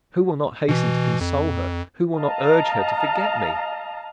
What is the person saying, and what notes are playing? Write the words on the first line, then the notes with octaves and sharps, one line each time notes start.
Who will not hasten to console her, who will not urge her to forget me!
B2 E3
F2
D#5 F5 A5 A#5